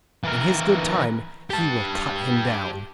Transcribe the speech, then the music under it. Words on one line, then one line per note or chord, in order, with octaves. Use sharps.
In His good time He will cut him down.'
E3 A#4
G4 A5